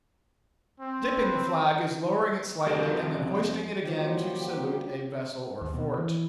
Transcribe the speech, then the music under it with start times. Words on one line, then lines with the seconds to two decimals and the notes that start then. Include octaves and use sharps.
Dipping the flag is lowering it slightly and then hoisting it again to salute a vessel or fort.
0.81 C4
1.17 B4
2.66 F2 F#4 G4
3.85 F3 G3 A#3 F#4 G4 C#5
5.61 D#2
5.74 B2
5.97 E3